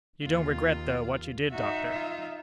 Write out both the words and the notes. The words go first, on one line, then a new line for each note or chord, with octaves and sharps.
"You don't regret, though, what you did, doctor?"
D#2 F4
D#4 F#4 E5
F4